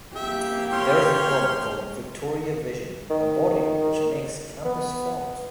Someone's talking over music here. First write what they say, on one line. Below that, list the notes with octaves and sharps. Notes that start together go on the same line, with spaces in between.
There is a club called "Victoria Vision" a body which makes campus films.
A#3 G4 E5
C#5 C6 F6
D#3
B3